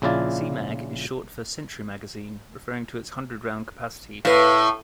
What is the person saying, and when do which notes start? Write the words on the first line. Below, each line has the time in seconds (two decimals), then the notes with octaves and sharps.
"C-Mag" is short for "century magazine", referring to its hundred-round capacity.
0.02 A#1 C#3 E4 F4 D5 A5
4.25 A2 B4 F5